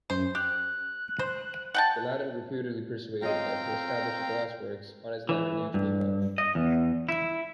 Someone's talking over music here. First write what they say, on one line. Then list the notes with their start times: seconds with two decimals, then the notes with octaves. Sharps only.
Gallatin reputedly persuaded them to establish a glassworks on his land in New Geneva.
0.10 F#2 C5
0.35 G4 F#6
1.19 C5
1.74 F#5 G5 A5
3.22 C4 F4 C#5 D#5 F5 G5 A#5
5.29 E3
5.74 G2
6.38 D#5
6.55 E2
7.09 E4